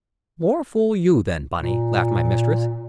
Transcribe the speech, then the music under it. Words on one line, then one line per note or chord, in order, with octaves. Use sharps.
"More fool you, then, Bunny," laughed my mistress.
A#2